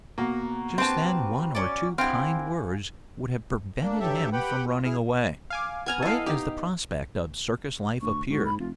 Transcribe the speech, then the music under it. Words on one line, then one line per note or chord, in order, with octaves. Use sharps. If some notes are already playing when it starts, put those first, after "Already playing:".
Just then one or two kind words would have prevented him from running away, bright as the prospect of circus life appeared.
B2 A#3 F#4 A#5
C4 G4 B4 A5
C#4 D5
C4 E4 G4 F5 F#5 G#5 F6
A#3 D4
G2 F#3 G4 A4 E5
G4 B4 F#5 G5 B5
F4
E4 G#4 F6
F5 G#5 D6
B3 G#5 A#5 F6 G#6
E4 A4 D#5 F5
D#4 G4 F5
D2 C#6
G#2 F#4
B5
F1 F4